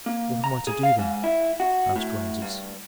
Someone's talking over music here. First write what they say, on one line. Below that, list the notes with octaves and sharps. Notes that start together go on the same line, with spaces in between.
"What am I to do, then?" asked Rameses.
A#3
A#5
G#4
F5
G#2
E4
F#4
A2
G2